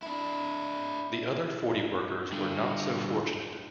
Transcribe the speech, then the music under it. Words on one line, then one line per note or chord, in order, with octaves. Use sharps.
The other forty workers were not so fortunate.
D4 E4
G2 D3